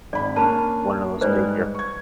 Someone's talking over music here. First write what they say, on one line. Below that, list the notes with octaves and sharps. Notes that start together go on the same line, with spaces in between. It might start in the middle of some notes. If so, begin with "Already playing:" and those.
one of those bigger
G#1 D5 B5
A#3 C#4 D4 A5 B5
G#2 G3 G#3 B4 C5 D5
C#6 G#6